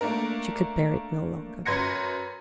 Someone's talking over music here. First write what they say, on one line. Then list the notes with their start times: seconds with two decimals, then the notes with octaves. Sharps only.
She could bear it no longer.
0.01 A3 A#3 D4 A#4
1.65 F#2 B4 C6 G#6 A#6 C#7